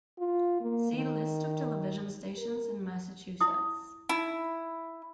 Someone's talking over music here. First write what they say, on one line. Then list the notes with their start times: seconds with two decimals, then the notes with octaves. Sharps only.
See List of television stations in Massachusetts.
0.19 F4
0.61 A#3
0.93 D#3
2.38 A#4
3.41 E4 D#6
4.09 D#4 E4